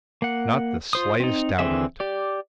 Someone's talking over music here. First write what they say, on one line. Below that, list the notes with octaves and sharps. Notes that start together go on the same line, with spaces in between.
"Not the slightest doubt of it."
A#3 F#5
F4 C5 D#6
C4 D#4
D3 E3 C4 G#4 E5
G4 D5